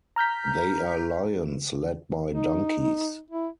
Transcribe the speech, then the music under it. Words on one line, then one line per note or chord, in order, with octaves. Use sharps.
They are lions led by donkeys.
A#5 F6 G6 B6
D#4
E4